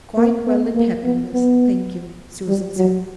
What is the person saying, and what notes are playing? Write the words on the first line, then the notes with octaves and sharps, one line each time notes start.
"Quite well and happy, miss, thank you," Susan said.
A#3
B3
A#3
B3
B3
G3
F#3